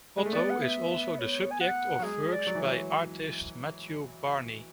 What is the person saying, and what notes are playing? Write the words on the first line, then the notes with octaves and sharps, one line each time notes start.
Otto is also the subject of works by artist Matthew Barney.
G#3
A3
B3 D5
F#5
E5
E5
C#5
G#5
F#5
F#3
G#3 G#4
D5
F#3
E3
F#3 C#5